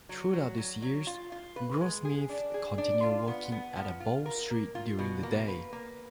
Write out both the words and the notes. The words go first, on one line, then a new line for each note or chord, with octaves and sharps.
Throughout these years, Grossmith continued working at Bow Street during the day.
F#3
F#3
F#3
F#3
F4
F4
B4
G#3
G#4
D4
G#4
D4
F4
B3
B3
F3
F4
A#4
A#3
F4
B2
A#3
B4
A#3